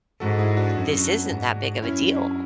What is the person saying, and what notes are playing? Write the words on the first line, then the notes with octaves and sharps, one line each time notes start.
This isn't that big of a deal,"
G#2 F#4 A4
E4 G#4
D4 F#4
F#2
G#2
F#2 C#4 E4